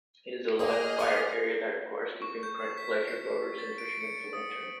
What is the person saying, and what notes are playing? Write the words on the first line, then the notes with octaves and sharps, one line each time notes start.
It is a live-fire area that requires keeping pleasure boaters and fishermen from entering.
A#3 G#4 D#5 F6
D5
C#6
G6
B6
C7
A6
D7
C#7
D#6